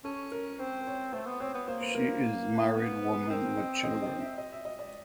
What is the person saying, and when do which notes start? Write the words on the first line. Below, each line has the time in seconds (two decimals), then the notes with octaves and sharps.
She is married woman with children.
0.05 C#4 A4
0.32 A#4
0.59 C4 C5
0.87 C#5
1.13 A3 C5
1.26 B3
1.40 C4 C#5
1.54 B3
1.67 A#3 C5
1.81 B4
1.95 A#4
2.76 B3
3.30 C4 A#4
3.57 D#5
3.84 D#5
4.02 D#5
4.20 E5
4.38 D#5
4.52 E5
4.65 D#5
4.79 D5